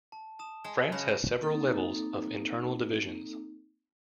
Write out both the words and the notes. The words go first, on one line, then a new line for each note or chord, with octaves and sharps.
France has several levels of internal divisions.
A5
A5 D#6 E7
G#3
C#3 B5 F#6 A#6
A#3 C4 D#4 A4